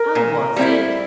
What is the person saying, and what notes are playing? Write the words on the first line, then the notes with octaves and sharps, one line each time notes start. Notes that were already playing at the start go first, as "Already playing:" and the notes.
How was it?
Already playing: A#4
A#2
G3 C4 E4